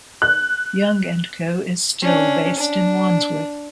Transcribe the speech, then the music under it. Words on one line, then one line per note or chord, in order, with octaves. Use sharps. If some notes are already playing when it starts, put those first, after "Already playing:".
Young and Co is still based in Wandsworth.
F#6
C#4 D4
D4